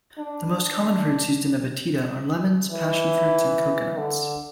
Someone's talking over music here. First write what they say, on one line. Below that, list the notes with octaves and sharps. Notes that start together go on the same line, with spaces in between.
The most common fruits used in a batida are lemons, passion fruits and coconuts.
D4
E3
D3